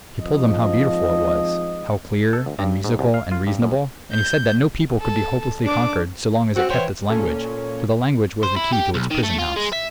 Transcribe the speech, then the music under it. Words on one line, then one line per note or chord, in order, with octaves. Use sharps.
He told them how beautiful it was, how clear and musical and reasonable, and he said that no people could be hopelessly conquered so long as it kept its language, for the language was the key to its prison-house.
F2 G#2 F3 D#5
A4
D2
G2
G#2
C2
F5
F4
G2
F#2
G6
A4
D4 D6
C4 F#4 F#5
E3 C5 C#5 G5
A#2 C#4 A4
C5
E4
G4
B1
D#3
A3
F4
G#3
E5